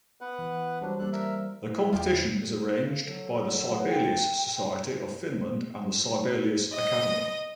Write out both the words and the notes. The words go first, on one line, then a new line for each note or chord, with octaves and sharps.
The competition is arranged by the Sibelius Society of Finland and the Sibelius Academy.
B3 B4 F#5
E3
F#3 G3 D4 C5
G3 A#3 D4 A4 F#6
A#4 E5
E4
E2 F#3 F4 G4
C#3
F#3 A4
B4
G5
D#5